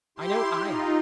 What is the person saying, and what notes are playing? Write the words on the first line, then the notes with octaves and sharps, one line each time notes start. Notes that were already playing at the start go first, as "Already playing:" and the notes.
I know I have.
E4 G4 C6
D#4 F4